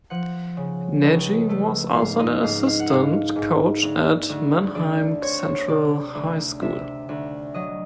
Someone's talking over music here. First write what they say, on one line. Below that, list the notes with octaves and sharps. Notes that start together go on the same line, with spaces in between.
Nagy was also an assistant coach at Manheim Central High School.
F3 F#5
C#3
C#2
A3
G#2 F5
D#5
G#2 F5
F5
F#5
G#2 F5
G#2
D2
D2
D2 D5
C4 C#5
C3 D5
D2
C3 E5
D2
F#3 D#5